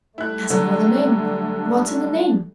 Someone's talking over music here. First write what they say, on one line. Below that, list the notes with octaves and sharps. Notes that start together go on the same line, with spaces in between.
As for the name--what's in a name?
G3 A3 E4 F#6
D3 F#3 D4